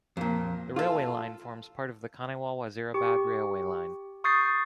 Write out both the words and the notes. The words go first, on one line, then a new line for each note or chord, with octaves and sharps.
The railway line forms part of the Khanewal-Wazirabad railway line.
F2 A#2
F4 A4
G4 C#6
C#6 D#6 G6 A6 C7